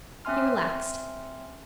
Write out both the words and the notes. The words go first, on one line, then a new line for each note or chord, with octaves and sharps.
He relaxed.
C4 C#4 E5 G#5 C6 F6